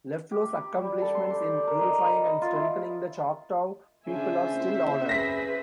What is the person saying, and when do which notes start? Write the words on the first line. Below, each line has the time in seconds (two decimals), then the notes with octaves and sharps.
LeFlore's accomplishments in unifying and strengthening the Choctaw people are still honored.
0.32 G4
0.55 B5
0.77 G3
1.02 A4
1.15 C6
1.30 D4
1.67 A#4
1.81 D#4
2.06 B5
2.24 D#5
2.42 F4
2.55 E4
4.07 C#3 D4 F4 C5 E5 G#5
4.54 A#3 C4 E4
5.09 G#4 B4 A#6 B6